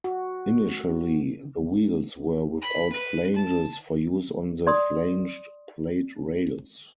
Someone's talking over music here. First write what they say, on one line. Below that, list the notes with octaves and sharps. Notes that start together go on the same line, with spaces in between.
Initially the wheels were without flanges for use on the flanged plate rails.
F#4
B5
B4
A5
D5 C6 D#6